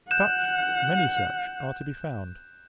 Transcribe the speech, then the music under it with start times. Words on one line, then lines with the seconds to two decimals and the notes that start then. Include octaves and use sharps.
Such, many such, are to be found.
0.11 F#5 F#6 G6 E7